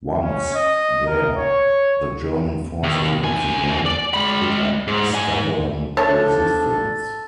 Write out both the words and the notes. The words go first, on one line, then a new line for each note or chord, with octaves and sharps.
Once there the German forces once again put up stubborn resistance.
C#4
D#5
A#4
C#5
D#2
D2 G#5
D5
G#3 B5
G#2
G#2 G#5
F3 D4 A4 C#5 A5